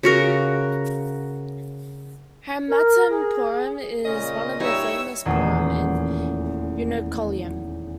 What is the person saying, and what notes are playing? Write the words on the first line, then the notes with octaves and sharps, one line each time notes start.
Harimattom pooram is the one of the famous pooram in Ernakulam.
C#3 F#4 A#4
A#4
G#4
A#2 C#3 C#4 D#5
A#2 G3 D#4 E4 C#5 E6
D#1 E2 A3 C#4 C7 D#7